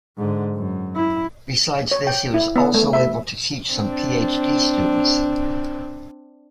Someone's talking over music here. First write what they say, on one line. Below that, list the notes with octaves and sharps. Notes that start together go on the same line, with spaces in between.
Besides this he was also able to teach some Ph.D. students.
G#2 D3
F#2
E4
C#5
G5
E4
B3
A3
E5
C4 D4